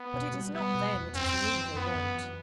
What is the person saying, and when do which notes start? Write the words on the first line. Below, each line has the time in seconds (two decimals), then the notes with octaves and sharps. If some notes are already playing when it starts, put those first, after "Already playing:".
But it is not them--it is me they want.'
Already playing: B3
0.14 B2
0.34 G3
0.54 G3 B3
0.75 B2
0.94 E2
1.15 F#2 C4
1.35 F#2
1.55 E3
1.75 F#2 B3
1.95 F#2
2.15 E3